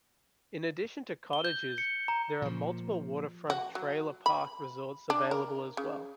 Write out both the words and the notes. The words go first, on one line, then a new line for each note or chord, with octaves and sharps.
In addition to cottages, there are multiple waterfront trailer park resorts available as well.
G7
G6
C#7
A#5
A#2 F3
F#4
F#3
B5
D4
A#4
C#3